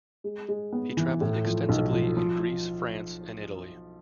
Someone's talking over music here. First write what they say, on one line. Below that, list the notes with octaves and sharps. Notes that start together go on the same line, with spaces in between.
He travelled extensively in Greece, France and Italy.
G#3
G#3
B3
E3
A2
F3
B1
F3
F3